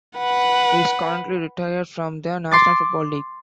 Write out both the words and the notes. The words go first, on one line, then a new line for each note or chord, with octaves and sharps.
He is currently retired from the National Football League.
B4 F#5
C6 D6 A6